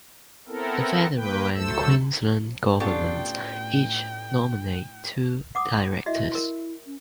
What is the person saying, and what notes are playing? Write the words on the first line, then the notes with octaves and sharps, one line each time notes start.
The Federal and Queensland governments each nominate two directors.
B3 C4 E4 A4 A#4
A#3 B4 G5
D2 F#3 A3 A4 C5 E6
A2 B3 C#4 D4 F4 G4 A4 G5
F#5 D6 D#6
E4 F#4 D#5 E5
A#4 C6
C#4